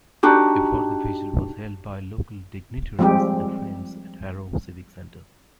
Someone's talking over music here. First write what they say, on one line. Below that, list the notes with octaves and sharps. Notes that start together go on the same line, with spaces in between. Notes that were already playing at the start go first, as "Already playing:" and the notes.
A further vigil was held by local dignitaries and friends at Harrow Civic Centre.
D4 D#4 F#4 G4
F3 G3 G#3 C4 G4